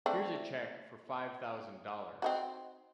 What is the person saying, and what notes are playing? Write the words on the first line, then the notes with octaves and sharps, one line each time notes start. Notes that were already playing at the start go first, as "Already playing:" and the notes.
Here's a check for five thousand dollars.
A3 C4 D4
C4 D#4 F#4